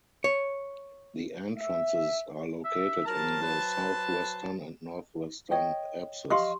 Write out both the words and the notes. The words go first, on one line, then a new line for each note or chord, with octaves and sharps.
The entrances are located in the southwestern and northwestern apses.
C#5
E5
E5
F#3 A#4 C5 A5
B4
C#5 D#5 G5
G4 D#5 F5 C6 C#6